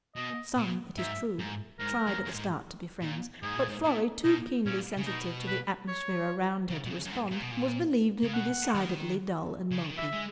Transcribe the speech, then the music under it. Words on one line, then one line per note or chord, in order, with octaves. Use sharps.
Some, it is true, tried at the start to be friends, but Florrie, too keenly sensitive to the atmosphere around her to respond, was believed to be decidedly dull and mopy.
B2 D#5
A#2
G#2 E5
G#2
G#2 A#4
F#2
F#2
G#2
A#2
G#2 G#4
A#2
G#2
A#2
B2 D#4
A#2 C#4
C#3
B2 D#4
B4
C#5
C#3
B2
C#3
F#2
G#2
A#2
B2
A#2
C#3
B2 F#5
D#3
C#3
D#3
E3 E5
G#3